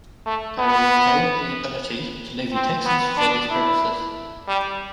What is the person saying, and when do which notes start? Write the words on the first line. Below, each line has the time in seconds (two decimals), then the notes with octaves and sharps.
They retain the ability to levy taxes for these purposes.
0.26 A3
0.58 B3
2.53 C4
2.85 B3
3.18 D4
3.51 E4
4.48 G3